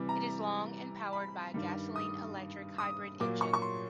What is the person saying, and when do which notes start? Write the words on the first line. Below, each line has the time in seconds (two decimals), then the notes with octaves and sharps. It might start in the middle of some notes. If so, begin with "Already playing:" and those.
It is long and powered by a gasoline-electric hybrid engine.
Already playing: C3 E3 G3
0.09 A#5
1.13 B5
1.54 G2 D#3 G3
1.96 D#6
2.78 D#6
3.20 A#2 F#3 A#3 D6
3.41 C#6
3.54 C#6
3.62 C6